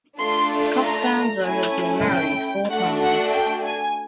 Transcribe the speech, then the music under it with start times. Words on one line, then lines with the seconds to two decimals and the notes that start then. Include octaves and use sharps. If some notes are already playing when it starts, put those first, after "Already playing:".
Costanzo has been married four times.
0.18 A3 D4 F4 A4 C6
0.82 A#5
1.44 A3 C#4 E4 A4 G#5
2.07 G5
2.70 A3 D4 F#4 A4 F#5
3.01 F#5
3.32 G5
3.64 G#5